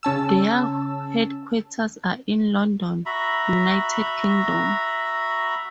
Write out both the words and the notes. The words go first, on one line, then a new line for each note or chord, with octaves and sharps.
Their headquarters are in London, United Kingdom.
C#3 C#4 A5 E6
F#4 E5 A#5 B5